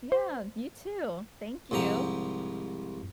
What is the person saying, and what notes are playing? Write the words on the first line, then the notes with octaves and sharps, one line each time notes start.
Yeah, you too, thank you,
C5
C2 G#2 F3 G4 A#5